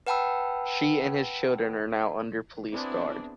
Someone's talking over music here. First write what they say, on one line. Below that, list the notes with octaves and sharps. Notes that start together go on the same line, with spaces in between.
She and his children are now under police guard.
B4 F#5 G5 A5 B5 E6
B3 C4 D4 E4 G#4